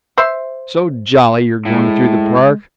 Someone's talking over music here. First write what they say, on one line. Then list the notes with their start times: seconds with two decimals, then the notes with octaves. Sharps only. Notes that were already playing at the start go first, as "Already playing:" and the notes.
"So jolly you're going through the Park."
0.18 C5 E5 C6
1.65 A2 G#3